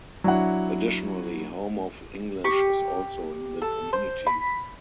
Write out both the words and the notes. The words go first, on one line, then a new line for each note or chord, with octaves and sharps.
Additionally Home of English is also in the community.
F#3 D4 E4 F#5
G4 C#6
A4
C5
B5